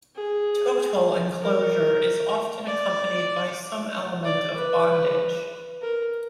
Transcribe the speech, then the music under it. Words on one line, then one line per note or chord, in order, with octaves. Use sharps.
Total enclosure is often accompanied by some element of bondage.
G#4
A#4
D5
D5
B4
A#4